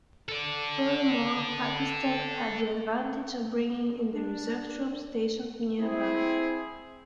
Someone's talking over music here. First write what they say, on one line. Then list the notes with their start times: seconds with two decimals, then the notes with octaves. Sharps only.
Furthermore, Pakistan had the advantage of bringing in the reserve troops stationed nearby.
0.29 A4 D5
4.13 D4
5.81 C4 E4 G#4